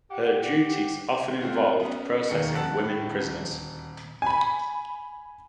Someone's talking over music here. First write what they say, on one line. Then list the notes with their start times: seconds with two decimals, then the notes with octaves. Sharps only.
Her duties often involved processing women prisoners.
0.11 G4 F#5
1.41 A3 C4 F4 F#4
1.80 B3 C#4
2.29 E1 D#2 A#3 G#4 F5 C#7
2.55 F#5 A5 E6 F#6
2.84 A2
3.06 D#1 D2
4.22 G#5 B5